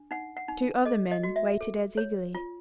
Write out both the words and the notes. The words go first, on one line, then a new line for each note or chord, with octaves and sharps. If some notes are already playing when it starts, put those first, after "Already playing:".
Two other men waited as eagerly.
Already playing: D4
D#4 F#5
F#5
D#4
A4 D#5
D#5
F#4
E5
A4
C#5
F4